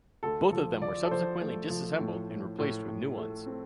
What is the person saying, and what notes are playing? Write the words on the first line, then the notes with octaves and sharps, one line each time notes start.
Both of them were subsequently disassembled and replaced with new ones.
D2 A4
F3 A4
F3 D5
A4
F3 C5
A3
F3
A2
A2
A2
A2
A3
C4